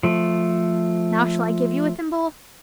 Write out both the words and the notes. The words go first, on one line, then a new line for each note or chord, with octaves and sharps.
"Now shall I give you a thimble?"
F3 A3